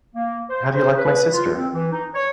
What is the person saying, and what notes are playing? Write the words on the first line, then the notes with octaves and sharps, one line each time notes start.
How Do You Like My Sister?
A#3
C5
C5
B4
F4
C4
E3
D#4
C#5